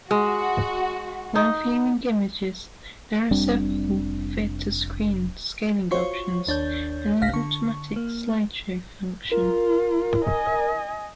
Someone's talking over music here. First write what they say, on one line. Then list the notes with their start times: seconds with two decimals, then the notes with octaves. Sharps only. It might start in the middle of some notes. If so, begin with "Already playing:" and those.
While viewing images, there are several fit-to-screen scaling options and an automatic slideshow function.
0.11 G#3 F#4
1.35 D#4
3.31 F1 G3 C4 D4
5.91 F4 F#4 C5 C#5 C#6
6.47 D#2 D4 C#5 G6
7.21 G1 C2 F5 A#6 B6
7.33 D3 C#6
7.96 A#3
9.31 F4 A#4
10.26 D#5 G#5